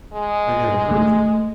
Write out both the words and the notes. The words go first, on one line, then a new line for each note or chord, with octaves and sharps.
I never heard of any.'
G#3
A3